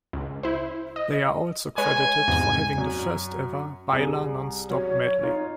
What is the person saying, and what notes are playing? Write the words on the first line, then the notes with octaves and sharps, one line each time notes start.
They are also credited for having the first ever baila non stop medley.
C#2
E4 C5
D#5
G#3 B4 C#5 G#5
E2 G#2 C3
F#2
C2 G#4
F#3 C#5
D#4 F4